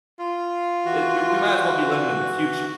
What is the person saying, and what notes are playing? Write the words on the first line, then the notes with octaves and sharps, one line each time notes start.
it you We might as well be living in the future
F4
E3 F#4